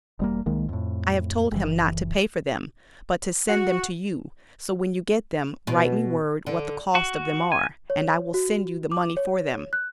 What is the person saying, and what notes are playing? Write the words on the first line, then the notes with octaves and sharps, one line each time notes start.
I have told him not to pay for them but to send them to you so when you get them write me word what the cost of them are, and I will send you the money for them.
E1 G3 A#3
C2 D#3 G#3 A#3
F2 A2
F#1 E3
F#4
B2
D3
F#4
G#5
C#5
F#4
D6
C#5
F#6